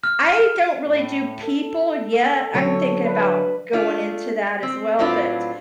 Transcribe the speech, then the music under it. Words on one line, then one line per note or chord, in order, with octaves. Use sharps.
I don't really do people yet, I'm thinking about going into that as well, but
F6
A2
A4
D3 F#3 C#5
D4 B4
A3 D4 F4
C4
A2 F#3 C4 D4 F4 B4